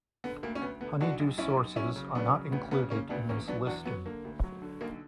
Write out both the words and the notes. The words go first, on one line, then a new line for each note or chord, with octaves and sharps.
Honeydew sources are not included in this listing.
D3 B3
D2 A#3
C#4
D2 B3
D3 B3
B1 D4 F#4
B1
B1 C#4 E4
B1
F#3 C#4 E4
C#3
F#3 B3 D4
C#3
D2 B3
C#3 B3
C#3 A#3 C#4
D2 B3 D4
E2 A#3 C#4
F#3 B3 D4
E2 D4 F#4
F#3 B3
D3 A#3
D2
F#3
D3
B1 A#3